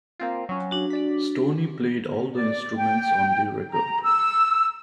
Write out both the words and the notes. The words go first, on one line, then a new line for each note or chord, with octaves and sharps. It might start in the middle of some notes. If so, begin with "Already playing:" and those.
Stoney played all the instruments on the record.
A#3 C4 F4
F#3 C#4
D4 F#4
D5 B6
D5
G5
A#5
E6